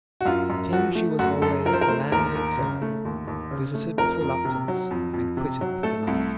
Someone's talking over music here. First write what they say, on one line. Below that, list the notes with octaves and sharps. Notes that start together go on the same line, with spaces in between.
To him she was always a land of exile, visited with reluctance and quitted with delight.
F#4
F#2 F4
F#2
F3 F#4
A3
F#2 F#4
F#2 A4
F3 A#4
C5
A#4
A3 C5
D#2 A#4
D#2
C#3
A3
D#2
D#2
C#3
A3
F2 A#4
F2
C3
F#3
F2
F2
C3
F#3
A3 A4
C2